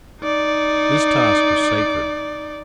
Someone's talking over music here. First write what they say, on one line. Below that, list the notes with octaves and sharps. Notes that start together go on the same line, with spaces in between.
This task was sacred.
D#4 D5